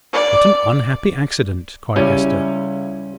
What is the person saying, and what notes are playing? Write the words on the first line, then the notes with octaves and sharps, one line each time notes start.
"What an unhappy accident!" cried Hester.
D5
C#2 G3 C#4 E4 D#7